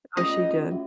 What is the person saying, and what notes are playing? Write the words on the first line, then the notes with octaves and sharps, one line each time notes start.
Oh, she did.
A3 C#4 F4 G#4 D#5
C#4 F#4 E5